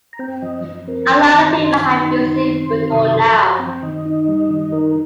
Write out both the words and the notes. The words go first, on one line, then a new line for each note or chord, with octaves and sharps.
A lot of people have used it before now.
A#5
C4 G5
F3 D#5
F3
C4 A#4
C4 C6
D#3
D#3
D#3
D#4
D#3
C4
D#3
F6
C3 D#6
F3 C6
F3 A#5
A#5
C4 G5
D#3 D#5
D#4
G3
D#3
D#4 A#4